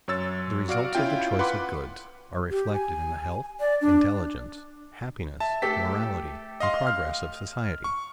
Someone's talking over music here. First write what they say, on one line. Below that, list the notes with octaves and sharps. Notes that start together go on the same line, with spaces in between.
The results of the choice of goods are reflected in the health, intelligence, happiness, morality, and progress of society.
F#2 C#5 E6 A6
F#4 D5 F5 F6 D7
C#4 E4 F4 G5
B4 F#5 B5 C6 D6
G4
G#5
D5
D4
E5 A5
A3 G4 A4 B6
D#5 F5 C6
F6
C#6